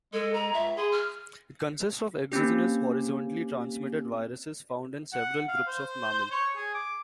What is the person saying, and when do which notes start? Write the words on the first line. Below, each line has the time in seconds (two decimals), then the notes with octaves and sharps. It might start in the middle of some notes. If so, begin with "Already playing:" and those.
It consists of exogenous horizontally transmitted viruses found in several groups of mammals.
0.13 G#3 A4
0.34 A#5
0.53 C#2 E5
0.77 G#4 C6
0.92 F6
2.32 A#3 C4 C#4 G4
5.13 F#5
5.48 F5
5.67 C5
6.31 C#5
6.56 G#4
6.75 D6